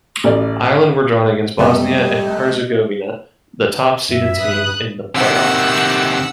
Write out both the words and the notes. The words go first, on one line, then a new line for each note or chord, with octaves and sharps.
Ireland were drawn against Bosnia and Herzegovina, the top seeded team in the play-off.
A1 D5
F#2 C3 G3 A3 B3 D#5
F#2 E5
G2 B4 D#6 F#6
C3 D#3 F#5 E6